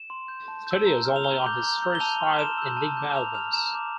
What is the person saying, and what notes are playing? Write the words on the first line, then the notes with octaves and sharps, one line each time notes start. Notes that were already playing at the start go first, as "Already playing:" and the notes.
Studios only on his first five Enigma albums.
Already playing: E7
C6
G6
A5
E6 G6
A#5
F6
F7
A#5 G7
D6 G6
A#5
E6 G6
G7
A5 F7
C6 F6
A#5 E7
E6 G6
A5
D6 G6
A#5 F7
F6 F7
A#5 E7
D6 G6